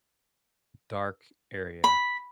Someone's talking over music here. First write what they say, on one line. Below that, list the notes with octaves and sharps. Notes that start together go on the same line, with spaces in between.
dark area.
B5